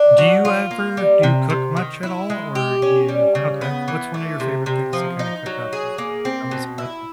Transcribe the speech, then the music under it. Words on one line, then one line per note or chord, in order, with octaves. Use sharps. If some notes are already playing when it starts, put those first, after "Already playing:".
Do you ever do you cook much at all, or do you? okay, what's one of your favorite things to kinda cook up? What's, uh, tell me some reci
Already playing: D4
F#3
F4
A#3
G3
C3
C3
D#3
E4
G#3
G4
C#4
G3
C#3
B3
E3
A3
C3
C3
F3
D#4
F#3
G#4
A#3
C4
B2
E4